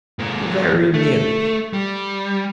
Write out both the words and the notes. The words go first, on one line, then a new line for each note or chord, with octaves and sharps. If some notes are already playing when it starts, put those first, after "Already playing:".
"Very nearly."
G#2 A#3
A3
G3